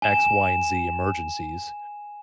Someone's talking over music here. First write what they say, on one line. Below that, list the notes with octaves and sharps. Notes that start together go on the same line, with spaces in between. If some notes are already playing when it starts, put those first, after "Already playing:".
x, y, and z emergencies.
G#5 E7